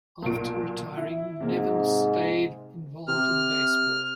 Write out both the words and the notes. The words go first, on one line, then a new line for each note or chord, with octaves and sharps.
After retiring, Nevin stayed involved in baseball.
B1 A#2 D7
E4
G#2 C3 A#3
C3 F6